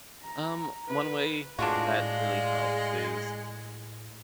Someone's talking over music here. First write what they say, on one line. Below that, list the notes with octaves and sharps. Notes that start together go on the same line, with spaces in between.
Um, one way that really helps is
A#5
B4
A2 G#3 D4 F4 F#4 D5 F5